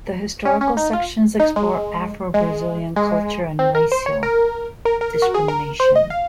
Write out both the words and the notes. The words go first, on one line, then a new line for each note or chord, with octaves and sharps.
The historical sections explore Afro-Brazilian culture and racial discrimination.
C#4
C#4
D#4
F4
D#4
G#3
G#3
G#3
C4
A#4
C5
C#5
A#4
A#4
A#4
F#4
G#4
A#4
C5
D#5
F5